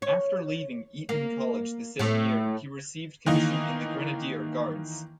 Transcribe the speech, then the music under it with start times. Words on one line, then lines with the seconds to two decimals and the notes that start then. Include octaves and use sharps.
After leaving Eton College the same year, he received commission in the Grenadier Guards.
0.02 C#5
1.09 A#3
1.99 A2 A3
3.26 D#3 E3 A#3 D#4